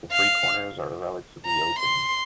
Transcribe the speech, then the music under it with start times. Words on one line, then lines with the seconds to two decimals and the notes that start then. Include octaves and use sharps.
The three corners are relatively open.
0.12 F5
1.46 A#5
1.79 C6